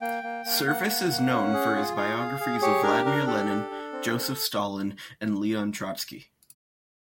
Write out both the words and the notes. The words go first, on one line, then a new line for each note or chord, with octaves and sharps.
Service is known for his biographies of Vladimir Lenin, Joseph Stalin and Leon Trotsky.
A#3 G5
A#3
A#3
F5
A#3 F#5
A#3
A#3
C#4
G#4
F4
G#4 F5
G#4
G#4
G4 C#5
D4 A#4
D4 A#4
G4 A4
D4
D4
C4